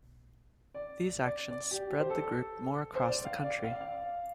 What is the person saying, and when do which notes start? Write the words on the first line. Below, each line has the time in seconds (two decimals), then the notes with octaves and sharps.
These actions spread the group more across the country.
0.74 D5
1.25 D5
1.51 D5
1.71 G4
1.90 G4
1.99 C5
2.10 A4
2.95 C5
3.06 D5
3.25 F5
3.44 D5
3.64 F5
3.72 D5
3.81 F5